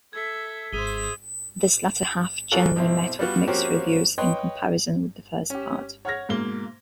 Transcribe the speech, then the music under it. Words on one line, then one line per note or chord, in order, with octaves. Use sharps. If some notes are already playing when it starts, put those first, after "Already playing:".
This latter half generally met with mixed reviews in comparison with the first part.
A4 E5 G#6 B6
G#1 G#4 C5 E5 D#6 D#7 G7
A#3 C#4 F4 F#4 G#4 A4
B1 C4 E4
G3 B3 F4 F#4
F3 A#3 C4 C#4 F#4 G4
B4 C#5 D#5 G5 C6
C#4 G4
C#5 F#5 F6 G#6 A#6
G#2 B2 A#3 G7